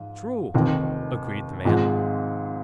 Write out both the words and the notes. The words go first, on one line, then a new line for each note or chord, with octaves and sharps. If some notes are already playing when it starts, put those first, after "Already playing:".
"True," agreed the man.
Already playing: G#2 F3
F1 D#2 D#3 C4
G#1 G#2 F3 G#3